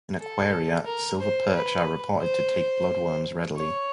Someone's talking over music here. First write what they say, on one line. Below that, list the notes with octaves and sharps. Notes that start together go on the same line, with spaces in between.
In aquaria, silver perch are reported to take blood worms readily.
A4
A#4
C5
B4
C5
C#5